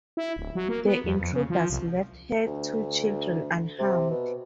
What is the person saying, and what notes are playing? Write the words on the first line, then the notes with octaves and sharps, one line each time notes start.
The intruders left her two children unharmed.
E4
D1
F#3
A#3
B3
F2
F2
C#3
F3
C2
D2
C3
B2